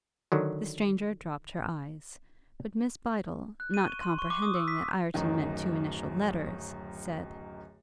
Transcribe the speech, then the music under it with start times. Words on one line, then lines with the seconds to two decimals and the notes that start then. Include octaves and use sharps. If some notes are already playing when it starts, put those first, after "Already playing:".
The stranger dropt her eyes, but Miss Bydel, not comprehending that Ireton meant two initial letters, said.
0.32 D3 D#3 F#3
3.60 F#6
3.74 D#7
3.87 C#6
4.01 C6
4.19 C#6
4.30 D6
4.42 D#6
4.55 E6
4.68 B6
5.14 D1 F#2 D#3